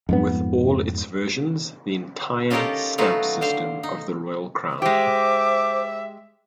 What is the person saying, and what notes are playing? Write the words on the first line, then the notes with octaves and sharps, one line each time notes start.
With all its versions, the entire stamp system of the Royal Crown.
F2 G#2 B3
C#4 D#4 F4 G4 A4 A#4
F#3 A3 D#4 F4 F#4 B4
D3 C5 F5
D#4
G#3 G4 C5 E5 D6